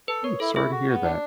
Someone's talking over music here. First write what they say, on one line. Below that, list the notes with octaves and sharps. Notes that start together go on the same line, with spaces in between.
I'm sorry to hear that.
A4 B4
A#4 C#5
E4 A4
E4 G#4
F#4
B3
D4